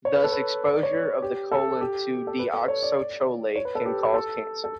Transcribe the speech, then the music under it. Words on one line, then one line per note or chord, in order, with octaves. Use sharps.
Thus, exposure of the colon to deoxycholate can cause cancer.
C#5
B4
A4
B4
B4
D5
C#5
B4
G4
A4
G4
A4
B4
A4
C#5
D5
C#5
B4
A4
G4
A4
A4